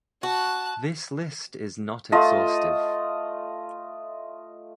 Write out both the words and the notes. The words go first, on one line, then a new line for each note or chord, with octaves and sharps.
This list is not exhaustive.
F#4 A5 F#6
A3 F4 D#5 A5